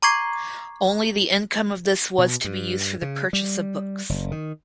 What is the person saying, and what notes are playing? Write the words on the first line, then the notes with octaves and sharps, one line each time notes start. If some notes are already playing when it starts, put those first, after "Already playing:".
Only the income of this was to be used for the purchase of books.
A#5 C#6 D6 G#6 C7
B2
G2
C#3
G3
F#1
D#3